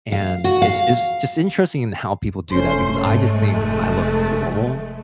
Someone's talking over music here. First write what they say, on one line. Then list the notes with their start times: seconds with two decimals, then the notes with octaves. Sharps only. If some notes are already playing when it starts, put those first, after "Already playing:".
and, it's it's just interesting in how people do that, because I just think I look normal,
0.12 F5
0.44 F#4
0.62 F5
2.51 F1 A3 C#4 C5 C6
3.01 G#2 G#3 A3
3.38 F1